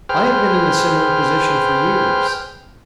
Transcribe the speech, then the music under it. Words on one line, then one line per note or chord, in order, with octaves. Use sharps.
I have been in a similar position for years.
G#4 B4 C5 G5 F6